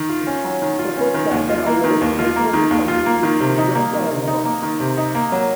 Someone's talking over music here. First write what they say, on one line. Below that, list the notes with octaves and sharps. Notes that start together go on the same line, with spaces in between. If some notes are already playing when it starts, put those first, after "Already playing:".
Troposcatter allows microwave communication beyond the horizon.
Already playing: D#3
F4
C#4
F#3
D#3
F4
C#4
D#3
D#2
F4
A#3
D#3
D#2
F4
A#3
D#3
D#2
F4
A#3
D#3
C3
D#4
A#3
D#3
C3
D#4
A#3
D#3
C3
D#4
A#3
F#3